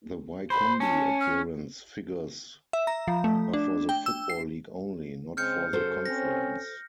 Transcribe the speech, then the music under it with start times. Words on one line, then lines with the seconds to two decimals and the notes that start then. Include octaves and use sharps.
The Wycombe appearance figures are for the Football League only, not for the Conference.
0.50 C5 B5
0.80 C#4 A5
1.20 F6
2.73 E5
2.87 A#5
3.08 F3
3.24 A3
3.53 D4
3.89 G5
4.06 E6
4.30 C7
5.37 C#3 G#3 C4 F6 G6 C#7
5.73 F#2 C#3 F#4 A4 C5
6.06 C4 C#4 A#6